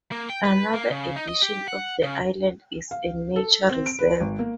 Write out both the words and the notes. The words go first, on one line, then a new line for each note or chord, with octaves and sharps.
Another addition of the island is a nature reserve.
A#3
G5
B4
A#3
C#3
D#4
D#5
G4
F#5
C#3
F5
A4
C4
D7
B4
G#1
A#3